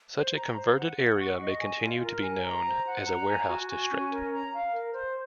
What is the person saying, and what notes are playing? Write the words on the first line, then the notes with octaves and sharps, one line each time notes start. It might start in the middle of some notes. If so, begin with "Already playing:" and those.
Such a converted area may continue to be known as a warehouse district.
C5
A#5
C5
F#5
F#5
C#6
D#5
G#5
F4
A#4
G#5
A#5
C5
F#5
A#5
G#5
F#4
G#5
C#4
A#4
A#5
F5
A#4
C5